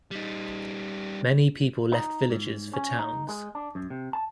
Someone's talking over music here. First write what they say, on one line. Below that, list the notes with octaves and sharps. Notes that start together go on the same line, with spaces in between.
Many people left villages for towns.
G3 D#4
D#4
G#2
C#4
D#4
G#3
D4
F#2
C3
A5